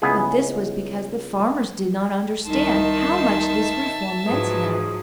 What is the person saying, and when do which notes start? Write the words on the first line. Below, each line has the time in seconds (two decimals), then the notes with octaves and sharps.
But this was because the farmers did not understand how much this reform meant to them.
0.02 C#2 B3 E4 G#4
2.46 C2 D#3 D#4 E5 A5 C6
4.27 G#2 F3 F#3 G#4 B4